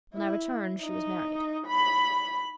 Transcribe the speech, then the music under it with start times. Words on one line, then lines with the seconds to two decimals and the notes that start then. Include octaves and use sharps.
When I returned she was married.
0.15 E4
0.82 D#4
1.67 B5